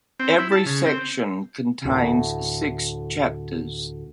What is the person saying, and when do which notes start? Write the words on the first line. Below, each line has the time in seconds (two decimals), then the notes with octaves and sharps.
Every section contains six chapters.
0.20 C4
0.39 E4
0.52 A5
0.66 C#3
0.86 C4
1.85 D2 A2